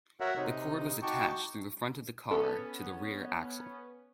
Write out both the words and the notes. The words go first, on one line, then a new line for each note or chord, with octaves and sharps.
The cord was attached through the front of the car to the rear axle.
F#4 A#4 C#5 E5 F#5
C3 D#4
D#4 F#4 G5 A5 C#6 D6
B3 C#4 A4